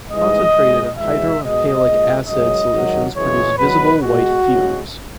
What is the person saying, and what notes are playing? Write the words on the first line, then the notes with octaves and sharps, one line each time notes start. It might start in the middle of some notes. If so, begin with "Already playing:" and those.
Concentrated hydrohalic acid solutions produce visible white fumes.
G#2 E3 G#3 D#5
A#2 G#3
E2 B2 G#3 E5
B2 G#3 D#5
A#2 G#3
F#2 C#3 G#3 D#5
G#2 D#3 F#3
F#2 C#3 E3 G#3 C#5
E2 B2 F#3 B4
B2 G#3 F#4
E2 C#3 G#3